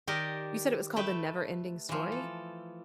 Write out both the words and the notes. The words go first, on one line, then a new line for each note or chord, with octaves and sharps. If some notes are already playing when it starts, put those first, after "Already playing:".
You said it was called The NeverEnding Story?
D#3 G4 A#4 D5 D#5 A#5
A3 B4 G5 A5
E3 F3
A4